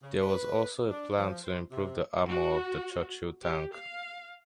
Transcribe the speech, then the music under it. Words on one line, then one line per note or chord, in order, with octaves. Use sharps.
There was also a plan to improve the armor of the Churchill tank.
C#3
B4
D4
F3
C5
C3
F#4
G4
F5